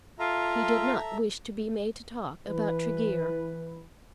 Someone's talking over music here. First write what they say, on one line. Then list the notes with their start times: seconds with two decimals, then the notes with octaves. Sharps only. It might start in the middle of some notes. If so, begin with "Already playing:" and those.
He did not wish to be made to talk about Tregear.
0.19 F4 A4 E5 A#5
2.48 E3 B4